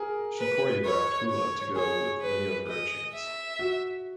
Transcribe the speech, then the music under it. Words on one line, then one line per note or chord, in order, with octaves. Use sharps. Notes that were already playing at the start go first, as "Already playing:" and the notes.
She choreographed hula to go with many of her chants.
Already playing: G#4 A#4
B4
B4 C#5
C#5
G#4 C#5
B4
D#5
E5
F#4